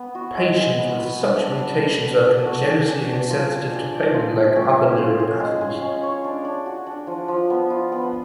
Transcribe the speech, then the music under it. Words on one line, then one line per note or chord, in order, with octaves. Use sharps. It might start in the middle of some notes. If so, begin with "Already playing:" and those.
Patients with such mutations are congenitally insensitive to pain and lack other neuropathies.
Already playing: B3
F#4
G#3
G#3
B3
B4
D4
D4
F#4
A4
D4
D4
F#4
G#4
D4
D4
F4
G#4
D4
D5
F4
G#4
C#4
C#4
F4
G#4
G#3
G#3
C#4
C#5
D4
D4
F#4
D4
F3
F3
B3
F4
B3